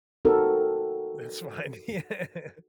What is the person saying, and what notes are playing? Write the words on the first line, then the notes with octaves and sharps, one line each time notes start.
That's fine. Yeah.
C4 D#4 F#4 A4 A#4